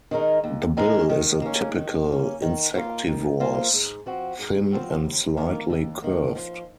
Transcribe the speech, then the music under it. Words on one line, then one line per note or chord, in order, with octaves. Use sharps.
The bill is a typical insectivore's, thin and slightly curved.
D#3 G#3 D#4 A#4
D#2
D#3 G#3 D#4 A#4
D#3
A#3 C#4
D#3
A#3 C#4
D#3
A#3 F4 C5 F5
D#3
A#3 F4 C5 F5
G#2
F3 C4 F#4
G#2
F3 C4 F#4
D#2
D#3 A#3
D#2
D#3 A#3
F3